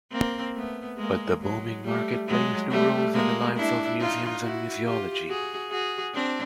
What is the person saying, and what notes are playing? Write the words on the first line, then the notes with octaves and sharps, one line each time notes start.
But the booming market plays two roles in the lives of museums and museology.
A#3 C4
A3 B3
G#3 A#3
F#3 G#3
G3 A3
F#3 G#3
G3 A3
G#3 A#3
D4 E4
D#4 F4
E4 F#4
F4 G4
F#4 G#4
F#4 G#4
C4 D4